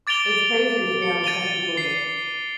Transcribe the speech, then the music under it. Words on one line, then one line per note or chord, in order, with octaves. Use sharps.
It's crazy to see how some people built
D6 A6 D7 F7 G7
C#7
A6 D#7 F7 G7
C7